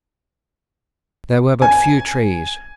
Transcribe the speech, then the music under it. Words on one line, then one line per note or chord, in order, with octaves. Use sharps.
There were but few trees.
G#5